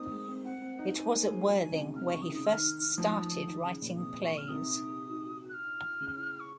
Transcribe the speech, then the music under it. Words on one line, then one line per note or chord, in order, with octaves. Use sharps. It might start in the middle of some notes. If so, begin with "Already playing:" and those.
It was at Worthing where he first started writing plays.
Already playing: A#3 C4 D#4 D#6
G#3
C4
C4 F#5
C4
D#4
D#4 G#5
A#3
G#3
F#3
D#3
C3
C#3
C3 F6
C3 C#6
D#6
C#3
D#6
D#3 F6
F3 D#6
D#3
C#3
A#2
C3 D#6
C#6
F6
C3 D#6
F#6
F6
C#3
C#6